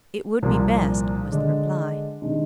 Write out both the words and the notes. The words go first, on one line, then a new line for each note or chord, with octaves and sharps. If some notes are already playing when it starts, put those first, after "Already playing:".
"It would be best," was the reply.
C2 A#2 F3 A#3
D3 G#3 D4
C3 D#3 G#3 D4